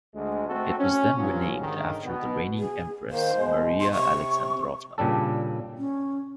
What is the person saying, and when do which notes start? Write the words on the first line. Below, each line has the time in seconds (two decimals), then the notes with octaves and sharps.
It was then renamed after the reigning Empress Maria Alexandrovna.
0.15 D2 G#3
0.48 A3 C4 F#4 A4
0.78 C#4
1.18 G2 F3 F#3 C#4
1.60 G#2 D3 D#3
2.05 B2 B3
2.59 G#4
3.11 D#3 A#3 C5
3.36 B2 G#3
3.80 C6
3.93 C3 C#6
4.98 A#2 C#3 G3 D4 A4
5.78 C#4